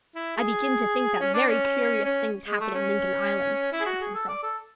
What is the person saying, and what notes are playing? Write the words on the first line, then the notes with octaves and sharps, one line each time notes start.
"I begin to think that very curious things happen in Lincoln Island!" said Pencroft.
E4
G#4
C#4
D4
C#4
C#4
G#3
A3
C#4
E4
G#4
F#4
G#4
A4
D5
A4